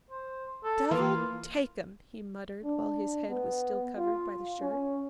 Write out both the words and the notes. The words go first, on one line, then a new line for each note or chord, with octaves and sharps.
"Devil take 'em!" he muttered, while his head was still covered by the shirt.
C5
A4
E3 A#3 F4 B4
D4
B3
F4
C#4